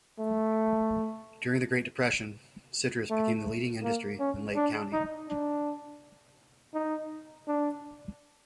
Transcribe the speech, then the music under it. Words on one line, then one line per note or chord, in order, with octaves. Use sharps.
During the Great Depression, citrus became the leading industry in Lake County.
A3
A3
A#3
C#4
D4
D#4
D4
D#4
D4